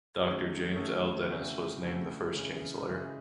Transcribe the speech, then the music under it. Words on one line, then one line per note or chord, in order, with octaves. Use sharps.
Doctor James L. Dennis was named the first chancellor.
D#3 F#3 A3 C#4 G#4
D#3 F#3 A3 C#4 G#4
C#3 E3 A3 C4 F#4
C#3 E3 A3 C4 F#4
C#3 E3 G#3 C#4
C#3 E3 G#3 C#4